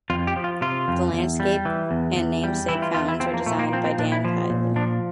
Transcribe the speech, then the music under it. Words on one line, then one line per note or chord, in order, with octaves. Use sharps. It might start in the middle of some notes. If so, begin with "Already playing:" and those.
The landscape and namesake fountains were designed by Dan Kiley.
F2 F4
G4
F3
F4
C3 F4
F2
E2
G3
E3
E2
E2
G3
E3 E4
F4
E2 F4
E4
F3 C4
A#3
A#2 A3
A#3
F3 C4
C4
A#2 D4
E4
F3
A#2
F3 D4